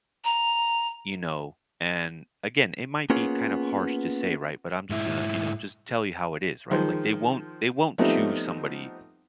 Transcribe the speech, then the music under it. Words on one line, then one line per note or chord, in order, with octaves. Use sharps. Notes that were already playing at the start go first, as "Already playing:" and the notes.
you know, and again, it might be kind of harsh to say, right? But I'm just gonna, you know, just tell you how it is, right? Like, they won't they won't choose somebody
A#5
A#3 B3 C#4 F4 G#4
G#2 E4
D#3 F3 G#3 C5
F3 G3 A3 B3 C4 D#4